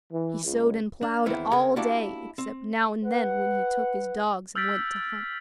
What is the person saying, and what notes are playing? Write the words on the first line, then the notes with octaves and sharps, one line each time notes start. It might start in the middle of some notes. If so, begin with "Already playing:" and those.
He sowed and ploughed all day, except now and then when he took his dogs and went to hunt.
E3
C#2
D4
E2 D#3 C4 E4 B4
C#3 G#4 A#4
A#3 D4 E4 F#4 G4 D5
C4
B4 F#5
E6 F6 G6 A6 B6 D7